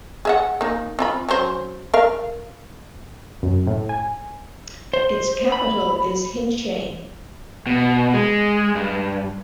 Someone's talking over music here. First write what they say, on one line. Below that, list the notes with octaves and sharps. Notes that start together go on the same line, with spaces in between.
Its capital is Hinche.
G#4 E5 F#5
A#3 D#4
C4 F4 B5
F#3 C#4 C5
A#4 F5
F#2
A2
G#5
C5
B5
B2
G#3
G2